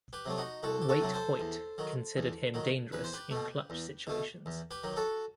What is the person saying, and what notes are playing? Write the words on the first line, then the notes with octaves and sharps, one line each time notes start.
Waite Hoyt considered him dangerous in clutch situations.
G4 B4
C3 F#3 A3
D#4 F#4
C2 F#4 A4
G4
F#4 A4
C3 F#3 A3
A4 C5
E2
D#3 F#3
E2
D#3 F#3
E2 B4
C5
G4 B4
B2 A3
E2
B2 A3
E2
G4 B4
D#3 F#3
F#4 A4